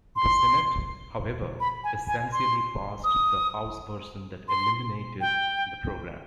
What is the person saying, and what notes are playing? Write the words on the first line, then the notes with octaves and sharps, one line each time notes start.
The Senate, however, essentially passed the House version that eliminated the program.
C6
B5
G#5
G#5
C6
D#6
C6
G5